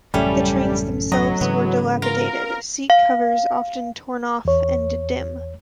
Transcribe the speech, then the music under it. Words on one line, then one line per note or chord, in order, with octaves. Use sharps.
The trains themselves were dilapidated, seat covers often torn off, and dim.
A1 F#2 C#3 G3 A3 C#4
F#3 D#5
G#2 C#3 E3 B3
F4 A#4
F5
E2 C#5